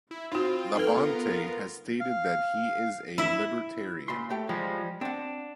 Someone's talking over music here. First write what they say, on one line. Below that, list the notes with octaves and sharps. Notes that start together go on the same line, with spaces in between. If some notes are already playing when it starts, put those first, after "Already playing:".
Labonte has stated that he is a libertarian.
E4
C4 D#4 F4 F#4
D#4 A4 B4 G5 F6
B3 F4 A#4
F5
E4 E5
A#2 B5 C6
A3 G4 G5
F3 G3 G#3
C4 D4 F#5